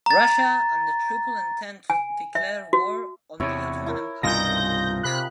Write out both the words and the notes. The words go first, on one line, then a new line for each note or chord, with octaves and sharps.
Russia and the Triple Entente declared war on the Ottoman Empire.
A#5 A6
G#5
E5
F#4
E2 C3 E4 C#5
E4 A#4
C2 G2 B2 D#4 F4 G#5 G6 A#6
C3 B5 F#6